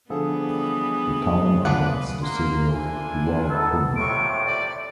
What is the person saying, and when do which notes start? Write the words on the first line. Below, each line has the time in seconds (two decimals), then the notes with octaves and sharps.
The town abuts the city of Waupun.
0.10 D3 E3 F3 G3 B3 G#4 A4
1.65 E2 G#3 D4 F4 B4 F#5
2.22 A#3 C6
2.73 D4 E4 F4 G#5
3.51 D#3 B3 A4
3.96 F2 A2 C3 A#4 C#6 D7
4.44 G4 D5